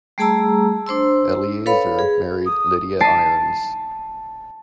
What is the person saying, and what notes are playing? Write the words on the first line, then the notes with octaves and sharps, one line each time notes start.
Eleazer married Lydia Irons.
G3 A3 G#4 A5 A#5 E6
D4 C5 C6 E6
A4 B4 C#5 F5 B5
G#4
D#6
A5 A6 B6 C7 D7 D#7